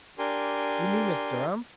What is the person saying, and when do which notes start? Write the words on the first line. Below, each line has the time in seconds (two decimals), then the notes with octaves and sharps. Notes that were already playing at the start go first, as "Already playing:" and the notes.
"You knew Miss Durham?"
0.19 D4 G4 A#4 G#5 C6